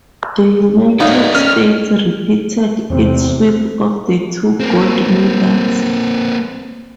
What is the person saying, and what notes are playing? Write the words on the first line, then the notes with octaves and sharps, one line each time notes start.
The United States repeated its sweep of the two gold medals.
F#3 D#4 A4 D5 D#5 F5
C#4 F6
E2 C3 C4
A#3 C4